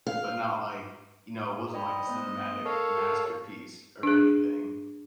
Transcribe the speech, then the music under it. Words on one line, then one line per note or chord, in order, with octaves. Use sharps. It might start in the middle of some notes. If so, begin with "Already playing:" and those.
but not like you know, it wasn't like a cinematic masterpiece or anything,
F5
D5 D#5 G5 B5
A3 B3 C5
A4 A#4 C#5 F5
G4 A#4
D4 G#4